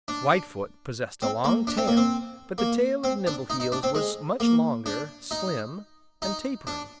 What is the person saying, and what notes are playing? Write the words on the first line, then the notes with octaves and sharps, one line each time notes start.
Whitefoot possessed a long tail, but the tail of Nimbleheels was much longer, slim and tapering.
D4
C4
A#3
D4
C4
A#3
C4
A#3
C4
D4
D#4
D#4
D4
C4
G#3
A#3
D4
D#4
D#4
D4